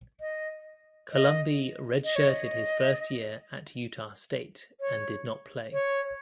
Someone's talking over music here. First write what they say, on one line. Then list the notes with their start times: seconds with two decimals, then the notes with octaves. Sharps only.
Colombi redshirted his first year at Utah State and did not play.
0.20 D#5
1.12 D#5
2.04 D#5
2.15 C#5
2.27 D#5
4.80 C#5
5.72 C#5